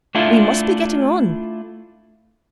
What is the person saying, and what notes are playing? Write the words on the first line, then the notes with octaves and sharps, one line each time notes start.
We must be getting on.
A3 D4 E4 F4